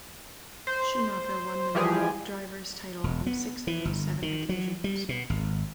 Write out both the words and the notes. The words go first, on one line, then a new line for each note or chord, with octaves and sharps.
Schumacher won the world drivers' title on six of those seven occasions.
C5
E3 F3 G3 G4 G#4
E1
B3
E3
G1
D#3
F#3
G3
B2
G#1